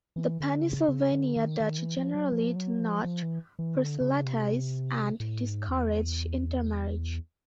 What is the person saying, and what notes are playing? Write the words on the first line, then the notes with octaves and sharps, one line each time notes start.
The Pennsylvania Dutch generally do not proselytize and discourage intermarriage.
E3
D3
C#3
C#3
D3
D#3
D#3
E3
F3
F#3
F3
F#3
F3
F3
E3
E3
D3
C#3
C3
A2
G#2
E2